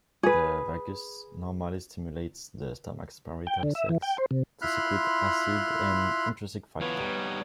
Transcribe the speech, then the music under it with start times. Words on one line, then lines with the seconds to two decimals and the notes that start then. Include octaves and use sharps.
The vagus normally stimulates the stomach's parietal cells to secrete acid and intrinsic factor.
0.23 G#4 B4
3.47 G5
3.63 D3
3.75 E5
3.89 E3
4.02 G5
4.18 C5
4.31 C3
4.62 E4 F4 B5 C6 F6 F#6
6.81 E3 B3 F4 B4 C#5
6.98 G3 D#4